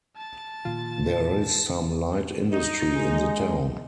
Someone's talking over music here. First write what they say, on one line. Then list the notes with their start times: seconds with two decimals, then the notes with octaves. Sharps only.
There is some light industry in the town.
0.16 A5 A6
0.65 A#2 D#3 F3 F4
2.52 D#4
2.93 G#3